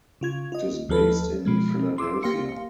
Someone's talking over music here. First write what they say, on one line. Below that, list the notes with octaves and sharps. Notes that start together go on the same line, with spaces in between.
It is based in Philadelphia.
C#3 F4 G#6
F4 D#5
D#2 F3 A4 B4
B2 F3 G#3
C6 D6 E6
A#3 G4 F5 C6 C#7